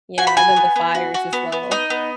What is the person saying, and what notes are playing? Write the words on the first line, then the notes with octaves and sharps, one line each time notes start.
Yeah, and then the fires as well.
F#4 G#5
B5
F#4 G#5
B3
B3
F#4
F#4
B3
B3
D#4 D#5
B3